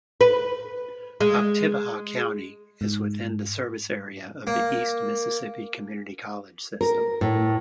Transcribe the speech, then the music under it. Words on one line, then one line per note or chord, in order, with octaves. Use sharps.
Oktibbeha County is within the service area of the East Mississippi Community College system.
B4
G#3
G#2
A#3
A#4
A2